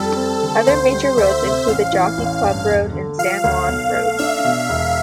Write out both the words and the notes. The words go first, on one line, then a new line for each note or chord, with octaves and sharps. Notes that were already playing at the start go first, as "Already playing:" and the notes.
Other major roads include the Jockey Club Road and San Wan Road.
Already playing: F2 G3 A4
C4
D3
D2 C5
G3
D2 E5
C3
A1 F5
E3
A1
G2
E1
D3
F3 F5
D2
B1
A3
D4 E5
B2
E1